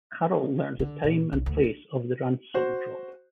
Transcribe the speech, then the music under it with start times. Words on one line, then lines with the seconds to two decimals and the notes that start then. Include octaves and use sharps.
Carol learns the time and place of the ransom drop.
0.79 D3
1.04 A#2
1.33 B1
1.46 D2
1.64 D4
2.54 F#4 C5